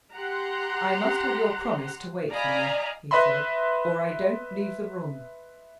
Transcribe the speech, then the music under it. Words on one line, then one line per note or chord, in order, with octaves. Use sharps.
"I must have your promise to wait for me," he said, "or I don't leave the room."
G4 F#5 A#5 C6
D5 D#5 F5 G#5 A#5 B5
B4 D#5 E5 B5 C6